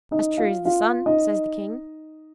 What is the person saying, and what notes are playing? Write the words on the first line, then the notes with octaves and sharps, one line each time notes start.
"As true as the sun," says the king.
D#4 D#5
F4 F5
F4 F5
D#4 D#5